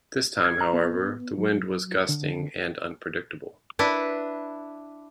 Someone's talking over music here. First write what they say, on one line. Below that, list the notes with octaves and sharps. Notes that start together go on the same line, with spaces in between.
This time, however, the wind was gusting and unpredictable.
G#6
A#5
B3
F#3
D3
D4 E4 B4